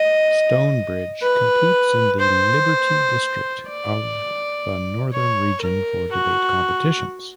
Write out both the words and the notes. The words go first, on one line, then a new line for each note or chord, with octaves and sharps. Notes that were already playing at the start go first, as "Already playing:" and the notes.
Stone Bridge competes in the Liberty District of the Northern Region for debate competitions.
Already playing: D#5
B4
C5
D5
C#5
A#4
F#4